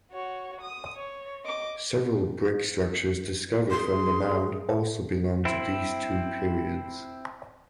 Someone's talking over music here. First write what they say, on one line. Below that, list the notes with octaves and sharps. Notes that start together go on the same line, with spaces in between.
Several brick structures discovered from the mound also belong to these two periods.
F#4 C#5
D#6
C#5
D#5 D6
G#4 C6
C4 E4